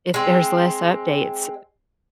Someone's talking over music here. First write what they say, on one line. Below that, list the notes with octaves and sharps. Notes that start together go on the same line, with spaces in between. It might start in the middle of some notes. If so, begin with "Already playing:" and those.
if there's less updates,
G#3 C4